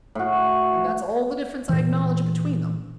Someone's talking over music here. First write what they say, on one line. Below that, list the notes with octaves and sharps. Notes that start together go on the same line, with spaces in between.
And that's all the difference I acknowledge between them.
A2 F#4
A#2 E3